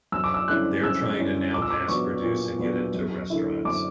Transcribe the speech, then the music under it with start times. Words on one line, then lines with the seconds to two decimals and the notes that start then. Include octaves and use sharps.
they're trying to now mass-produce and get into restaurants,
0.12 F#2 E6
0.24 D6
0.34 E6
0.48 D3 G3 C#4 E4 F#6
0.83 F#2 E6
1.18 D3 G3 C#4 E4
1.53 A#2 D6
1.62 E6
1.70 D6
1.88 F#3 B3 D4 C#6
2.24 A#2
2.59 F#3 B3 D4
2.94 F#2
3.30 D3 A#3 E4
3.65 F#2 D6